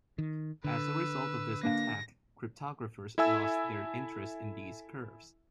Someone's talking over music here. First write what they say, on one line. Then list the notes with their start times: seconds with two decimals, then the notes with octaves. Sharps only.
As a result of this attack, cryptographers lost their interest in these curves.
0.18 D#3
0.64 D3 B4 E6
1.63 A#3 D4 F5 A#6
3.18 E4 A4 E5 G#5 E6